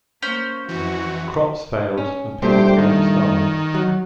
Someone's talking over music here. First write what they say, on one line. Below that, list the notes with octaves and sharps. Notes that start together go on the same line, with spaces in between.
Crops failed and people began to starve.
A#3 C#4 C5
F2 E3 F#4
C#4
G2 A#2 A3 G4 C5
D#3
F#3